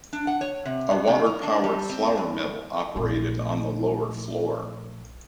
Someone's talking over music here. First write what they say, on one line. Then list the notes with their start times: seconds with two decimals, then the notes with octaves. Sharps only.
A water-powered flour mill operated on the lower floor.
0.13 D4
0.27 F#5
0.41 C#5
0.65 C3
0.91 G2
1.08 C3
1.26 A#4
1.43 D4
1.64 G3
1.89 C4
2.17 G2
2.96 A#1 A3